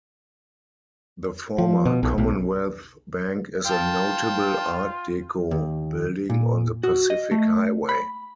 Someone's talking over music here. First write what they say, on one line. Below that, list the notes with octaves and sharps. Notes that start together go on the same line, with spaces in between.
The former Commonwealth Bank is a notable art deco building on the Pacific Highway.
F3
B2
B1
B1
F4 G5 A5
D#2
A#2
F#4
D#5
A3
B5